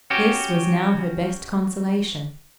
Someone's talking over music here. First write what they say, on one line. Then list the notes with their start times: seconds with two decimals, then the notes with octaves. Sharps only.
This was now her best consolation.
0.10 C#4 F#4 G4